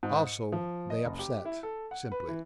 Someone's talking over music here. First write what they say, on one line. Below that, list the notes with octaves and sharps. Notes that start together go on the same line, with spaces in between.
Also they upset--simply.
G#2
C#7
F3
D#5
F#1
G4
E4
A4
F#5
B4
E3